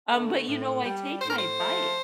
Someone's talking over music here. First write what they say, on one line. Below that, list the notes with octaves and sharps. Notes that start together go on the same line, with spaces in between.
Um, but you know, I take my bike
D3 A3
A2
G3
A2 C5
A#4
C5
F3 A3